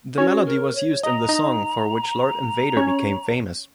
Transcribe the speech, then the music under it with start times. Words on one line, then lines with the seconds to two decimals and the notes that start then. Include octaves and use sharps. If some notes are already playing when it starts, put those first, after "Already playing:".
The melody was used in the song for which Lord Invader became famous.
0.18 C#4 F#4 C#5
0.46 A#4
0.75 C#5
1.04 D#5 A#5
1.29 D#4 D#5
2.77 C#4 C#5